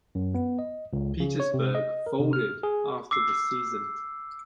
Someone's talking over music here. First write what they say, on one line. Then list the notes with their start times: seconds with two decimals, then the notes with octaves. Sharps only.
Petersburg folded after the season.
0.15 F#2
0.34 B3
0.59 D#5
0.93 C#2
1.20 C#3
1.40 C#5
1.54 C3
1.75 D#5
2.06 A#4
2.20 C3
2.33 F6
2.63 G#4
3.11 D6 E6 C7